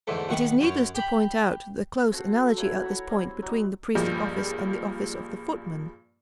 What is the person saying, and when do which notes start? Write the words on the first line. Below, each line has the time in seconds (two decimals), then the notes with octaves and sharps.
It is needless to point out the close analogy at this point between the priestly office and the office of the footman.
0.07 E2 G#2 D3 A3
0.29 B1 B2 D#3 F#5 C#6
0.61 F#2 C#5
0.95 G4 B5
2.11 C4 F#4 A4
2.57 F#3 E4
2.82 C#5 E5 A#5 B5
3.09 G3 C4
3.42 F#3 D#4
3.95 G2 A#2 F3 G3 G#3